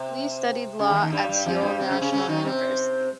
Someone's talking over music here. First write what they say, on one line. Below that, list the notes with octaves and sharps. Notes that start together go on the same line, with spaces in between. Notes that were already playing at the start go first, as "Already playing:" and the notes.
Lee studied law at Seoul National University.
Already playing: C3
C#3
D#2 D#3
D#2 D#3
G2 G3
G2 G3
F2 F3
G2 G3
C3 C4
C#3 C#4
C#3 C#4
C#3 C#4
D#3 D#4
C3 C4